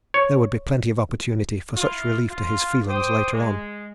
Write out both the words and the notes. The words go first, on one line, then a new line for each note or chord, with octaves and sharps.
There would be plenty of opportunity for such relief to his feelings later on.
C#5
E4 F4
F4
C5 G5 D6 D#6
G#3